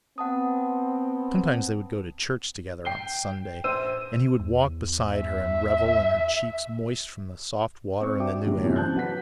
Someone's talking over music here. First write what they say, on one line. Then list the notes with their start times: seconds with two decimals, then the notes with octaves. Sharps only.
Sometimes they would go to church together on Sunday and he would walk beside her and revel in her cheeks moist from the soft water in the new air.
0.18 B3 C4 F#5 A5 D#6
2.85 G5 C7 G7
3.64 A#1 C5 E6 D#7
4.40 E2
5.14 E5
8.00 C4 C#6
8.19 D4 F#4 E5 G5 D6
8.45 A2 D3 F#3 G3
8.63 E2 A2 C3 E3 F3
8.76 C#3 C4 A5 F#6 G6
8.94 F#3 B4 F#5 B6